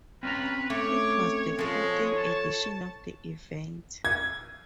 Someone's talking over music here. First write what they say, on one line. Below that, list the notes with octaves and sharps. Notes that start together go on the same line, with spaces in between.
It was the fourth edition of the event.
C4 C#4 F4 B4 A#5
A3 C#5 D6
F3 G#3 A4 C#5
A5
G#6